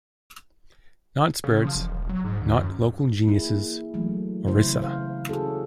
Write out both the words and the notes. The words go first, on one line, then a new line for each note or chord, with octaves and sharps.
Not spirits, not local geniuses - Orisa.
C#3
F3
E1
D#1
F#3
G#2
D2
F#2
A#3 E4 G#4
E3 F#3 A3
C#3 E4 C5
C5 F5
C#4 E4 F#4 G#4 A4